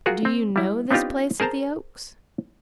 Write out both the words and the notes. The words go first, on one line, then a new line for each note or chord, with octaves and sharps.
Do you know this place of the oaks?
F4 F#4 G#4 A#4
C4
G3 E4
B3 C4 D4 D#4 F4 G4
G#4 A#4 C5 A5 A#5